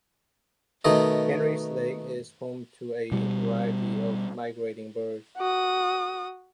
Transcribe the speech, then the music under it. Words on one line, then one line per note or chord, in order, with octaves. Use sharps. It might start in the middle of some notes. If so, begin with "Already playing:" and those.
Henrys Lake is home to a variety of migrating birds.
B2 D#3 A3 D#5
B2 G3
F#4 D#6